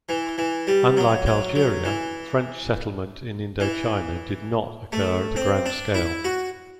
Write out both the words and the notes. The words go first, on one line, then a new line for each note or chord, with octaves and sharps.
Unlike Algeria, French settlement in Indochina did not occur at a grand scale.
E3
E3
G3
F#3
F#3
F#3
E3
E3
A3
C4
D4
E4
F#4